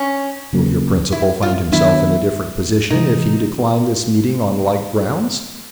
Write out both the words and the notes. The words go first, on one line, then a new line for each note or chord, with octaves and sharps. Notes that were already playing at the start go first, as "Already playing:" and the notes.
Will your principal find himself in a different position if he decline this meeting on like grounds?
Already playing: C#4
C#3 F#3 A#3
E4
F4
D#3 F#3 B3 D4 E4
C3 E3 G#3 D#4